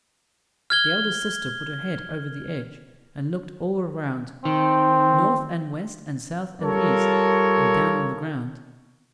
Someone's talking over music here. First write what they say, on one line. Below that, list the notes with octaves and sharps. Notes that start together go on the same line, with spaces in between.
The eldest sister put her head over the edge, and looked all around, north and west and south and east and down on the ground.
F6 G#6 G7
D#3 C4
G3 F4 A4 A#4 C#5